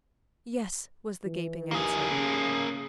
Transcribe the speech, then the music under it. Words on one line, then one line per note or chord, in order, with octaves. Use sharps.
"Yes!" was the gaping answer.
E3
D#2 A#3 G#4
C#3